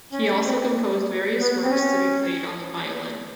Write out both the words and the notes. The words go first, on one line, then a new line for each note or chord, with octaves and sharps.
He also composed various works to be played on the violin.
C#4
C4
B3
C4
C#4